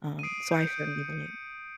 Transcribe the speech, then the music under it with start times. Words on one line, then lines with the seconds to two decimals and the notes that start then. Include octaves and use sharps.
Um, so I certainly believe
0.19 D#7
0.23 D#6 C7 D7
0.52 G6 C#7
0.67 D7